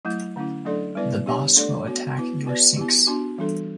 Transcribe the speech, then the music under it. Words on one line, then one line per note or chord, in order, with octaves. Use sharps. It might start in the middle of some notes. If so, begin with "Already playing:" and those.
The boss will attack your sinks.
F#3 A3 E4
D3 A3 C#4 E4
F#3 A3 D4 A4 D5
G3 B3 E4 B4 D5
B3 D4 G4 C#5
A3 D4 A4 D5
B3 F#4 C#5
B3 E4 B4
B3 F#4 B4 D5
B3 E4 G4
B3 D4 F#4
E3 G3 D4 A4